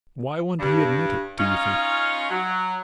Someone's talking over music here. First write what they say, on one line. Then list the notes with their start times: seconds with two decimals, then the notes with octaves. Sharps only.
Why won't he admit it, do you think?
0.59 G2
1.38 C#4 D#4 F4
2.30 F#3